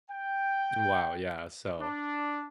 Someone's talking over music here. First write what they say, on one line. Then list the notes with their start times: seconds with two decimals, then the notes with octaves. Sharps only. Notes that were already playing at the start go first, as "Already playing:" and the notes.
Mm, wow, yeah, so,
0.10 G5
1.80 D4